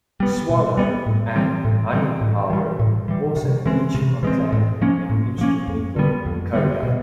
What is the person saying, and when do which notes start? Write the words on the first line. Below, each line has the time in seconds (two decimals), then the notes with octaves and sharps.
"Swallow" and "Honey Power" also each contain an instrumental coda.
0.20 G3 B3
0.49 B2
0.77 G3 B3
1.06 A2
1.36 E3 G3 C4
1.65 A2
1.93 E3 G3 C4
2.21 A2
2.50 E3 G3
2.79 A2
3.08 E3 G3
3.37 C3
3.66 E3 G#3 C4
3.94 C3
4.23 E3 G#3 C4
4.52 A2
4.81 F3 A#3 C#4
5.10 A2
5.38 F3 A#3 C#4
5.68 F2
5.96 D3 G3 B3
6.26 F2
6.53 D3 G3 B3
6.83 B2